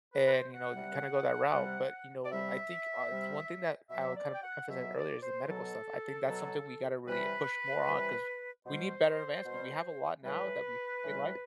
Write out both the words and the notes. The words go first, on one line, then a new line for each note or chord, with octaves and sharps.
And, you know, you kinda go that route. But, you know, I think, uh, it's one thing that I would kinda emphasize earlier is the medical stuff. I think that's something we gotta really push more on 'cause we need better advancement. We have a lot now that we we like.
B4
B4
C5
F#5
C3 G3
C3 G3
D5
C3 G3 E5
C3 G3
B2 F#3 E5
D5
G5
F#5
B2 F#3 E5
D5
C5
B2 F#3 A4
B2 F#3
C3 E3 G3 B4
C3 E3 G3
B2 G3 C5
B2 G3
A2 E3 G3 B4
A2 E3 G3